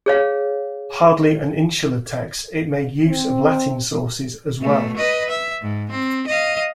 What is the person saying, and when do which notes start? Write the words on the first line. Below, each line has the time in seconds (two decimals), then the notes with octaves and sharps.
Hardly an insular text, it made use of Latin sources as well.
0.06 G#4 C#5 F5
3.06 C4
4.61 B2 A3
4.97 B4 D#5
5.29 E5
5.62 G#2
5.91 C4
6.27 D#5 F5